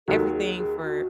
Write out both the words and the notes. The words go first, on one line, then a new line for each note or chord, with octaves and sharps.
everything for
D#2 D#3 F#3 A4
G#4
G#4
F#4